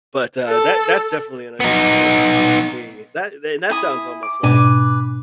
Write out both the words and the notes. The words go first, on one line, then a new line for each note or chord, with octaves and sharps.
But, uh, that that's definitely an unusual t one to me. That th and that sounds almost, like
A4
B3 D#4
E4 G#5 D#6
D6
G#2 B2 D4 B4 G#5 D6